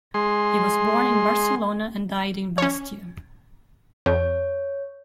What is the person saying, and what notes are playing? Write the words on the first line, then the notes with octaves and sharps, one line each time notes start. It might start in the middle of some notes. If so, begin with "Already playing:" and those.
He was born in Barcelona and died in Bastia.
G#3 C6
C#4 C#5
F2 C#5